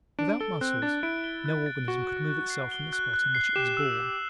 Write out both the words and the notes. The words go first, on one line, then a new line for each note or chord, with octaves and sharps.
Without muscles no organism could move itself from the spot in which it was born.
D4 D7
A4 G7
C4 F#6
D4 A6
E4 D7
G7
F#6
A6
F#4 G7
F#6
F#6
C7
G7
F#6
F#6
C7
G4 E7
E6
E6